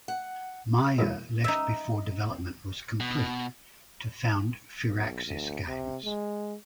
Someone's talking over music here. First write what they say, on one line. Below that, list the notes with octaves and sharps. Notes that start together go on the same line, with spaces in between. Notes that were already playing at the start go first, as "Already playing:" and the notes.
Meier left before development was complete to found Firaxis Games.
F#5
B1 E2 A#2
D#4 E5
B2
B1
D2
C3
G#3